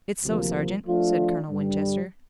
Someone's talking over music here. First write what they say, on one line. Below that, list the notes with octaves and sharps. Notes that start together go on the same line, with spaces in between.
"It's so, sergeant," said Colonel Winchester.
D2 C3 F3 A#3
F3 A3 D4 F4
G2 D3 G3